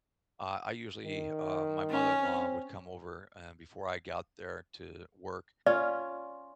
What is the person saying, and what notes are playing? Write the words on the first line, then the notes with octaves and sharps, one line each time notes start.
uh, I usually uh, my mother-in-law would come over, eh before I got there to work
D#3
C#4
C4
C#4 F4 D5